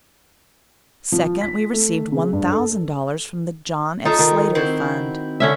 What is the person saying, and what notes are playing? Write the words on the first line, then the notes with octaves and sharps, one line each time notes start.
Second, we received one thousand dollars from the John F. Slater Fund.
F3
B6
A3
C#3
G2
A4
D#4 F4 A4 E5
D#3
C4 E4 F#4
D3 C#4 E5